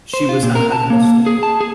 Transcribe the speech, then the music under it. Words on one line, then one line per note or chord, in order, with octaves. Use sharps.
She was an agnostic.
C5
F4
A#2
A#4
A5
A#3
G#4
A5
G#4